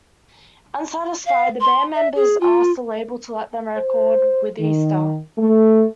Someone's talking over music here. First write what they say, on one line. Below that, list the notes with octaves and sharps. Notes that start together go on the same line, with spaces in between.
Unsatisfied, the band members asked the label to let them record with Easter.
F5
C6
E5
G#4
F4
C5
D#3
A3